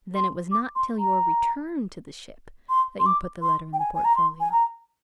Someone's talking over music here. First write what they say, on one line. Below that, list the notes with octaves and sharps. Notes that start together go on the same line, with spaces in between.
"Then it was not till your return to the ship that you put the letter in the portfolio?"
C6
D6
C6
A#5
C6
C6
D6
C6
G5
G#5
G#5
A#5
C6
G#5
A#5